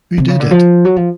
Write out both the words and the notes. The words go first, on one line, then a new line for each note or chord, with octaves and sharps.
Who Did It?
C3
C#3
D3
F3
F#3
F3